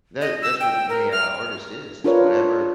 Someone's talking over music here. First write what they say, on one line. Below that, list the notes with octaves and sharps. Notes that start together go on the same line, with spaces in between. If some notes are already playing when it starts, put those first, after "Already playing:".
that that's what an AI artist is. It's whatever
D#5
E6
G5
A#4
F6
D4 F4 A#4 B4 C#5